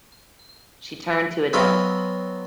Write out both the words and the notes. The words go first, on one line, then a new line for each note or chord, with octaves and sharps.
She turned to Adele.
F#3 B3 C4 D#5 F5